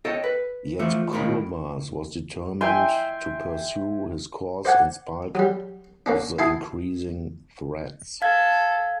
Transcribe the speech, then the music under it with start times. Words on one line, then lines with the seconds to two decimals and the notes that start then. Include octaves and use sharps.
Yet Kurbas was determined to pursue his course in spite of the increasing threats.
0.05 A4 C#5 D#5 G5
0.24 B4
0.79 E3 F3 A3
1.13 C#2 A2 D#3 B5
2.61 E5 G5 G#5 C6
4.65 C5 D5 F#5 G#5
5.35 F#3 G3
6.06 A#3 C#4 D4
6.39 E4 G#5 A5 C6 D#6
8.22 A4 F5 G#6